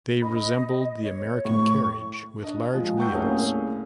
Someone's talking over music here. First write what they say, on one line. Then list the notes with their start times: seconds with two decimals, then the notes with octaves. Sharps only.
They resembled the American carriage with large wheels.
0.22 D#5 B5
1.04 C#5
1.45 A2 C#6
2.43 D4 D#5
2.74 F3 G#3
2.97 F#5 G5 A5 C#6 E6 G6
3.13 C2 A3 A#3 C#4 G#4